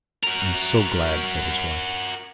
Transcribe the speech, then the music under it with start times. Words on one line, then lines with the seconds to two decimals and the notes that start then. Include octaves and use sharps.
"I am so glad," said his wife.
0.23 F#4 A#4